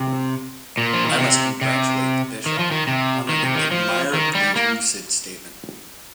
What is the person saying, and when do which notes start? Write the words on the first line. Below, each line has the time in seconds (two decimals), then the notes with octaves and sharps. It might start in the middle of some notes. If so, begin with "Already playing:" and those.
I must congratulate the bishop on an admirably lucid statement.
Already playing: C3
0.77 A#2
0.93 F3
1.06 D#3
1.18 C3
1.61 C3
2.46 D#3
2.59 F3
2.71 D#3
2.87 C3
3.29 D#3
3.42 C3
3.55 D#3
3.71 F3
4.13 D#3
4.35 G3
4.56 A#3